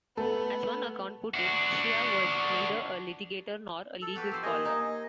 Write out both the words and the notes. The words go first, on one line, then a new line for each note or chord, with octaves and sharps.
As one account put it: Shea was neither a litigator nor a legal scholar.
A3 B3 A4
D4 F#4
A4
F#4 G4 B4
F3 C5 D5
A#3 D#5 G#5
D#4